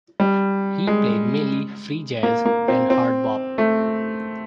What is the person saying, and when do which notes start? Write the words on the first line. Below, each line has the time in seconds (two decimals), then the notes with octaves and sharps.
He played mainly free jazz and hard bop.
0.20 G3
0.87 G#3
2.23 A#3
2.45 A#3
2.68 C4
2.90 C4
3.58 A3